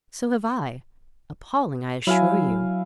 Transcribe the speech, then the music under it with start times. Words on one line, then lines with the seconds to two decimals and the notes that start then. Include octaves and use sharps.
So have I. Appalling, I assure you.
2.07 F#3 E4 F5 G#5